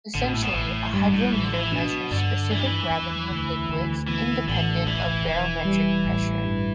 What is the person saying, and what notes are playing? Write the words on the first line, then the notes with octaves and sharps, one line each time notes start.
Essentially, a hydrometer measures specific gravity of liquids independent of barometric pressure.
A1 D3
B2
A2
B2
A1 A2
G2 G3
A2
A1 E3
D3
E3
B2 D4
G2 D3
E3 D4
G3
E3
E2
D2
D2
E3 B3
A1 D3
E1 E3
E1
G3
A1
G2